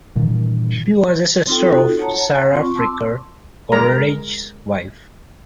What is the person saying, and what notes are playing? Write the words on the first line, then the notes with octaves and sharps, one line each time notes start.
She was a sister of Sara Fricker, Coleridge's wife.
G2 A#2 D#3 E3
C4 D#4 F4 A4 G5
D#4 F4 F#4 A4
C#5 F#5 A5 A#5
C4 F4 C#6
A5 C6 D6 E6
G#3 A#4 A#5